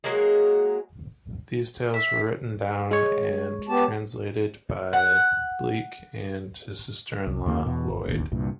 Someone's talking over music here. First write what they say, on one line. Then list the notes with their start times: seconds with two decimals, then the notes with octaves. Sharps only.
These tales were written down and translated by Bleek and his sister-in-law Lloyd.
0.04 F#3 G#3 A#3 G#4
1.94 E5
2.91 G#3 C#5
3.69 B3 G4 A5
4.93 F#5
7.27 C2
7.46 D#2 C#3 A#3
7.66 E2 B2
7.88 G#1
8.06 E1 A1 D#2
8.32 C2 G2 A#2